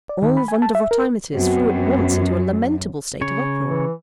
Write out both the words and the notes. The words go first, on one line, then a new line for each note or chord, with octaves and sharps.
All Vondervotteimittiss flew at once into a lamentable state of uproar.
D5
D#3
B5
G#5
A5
E5
A#4
F#2 B3 C4 F#4
C#3 C#5
E3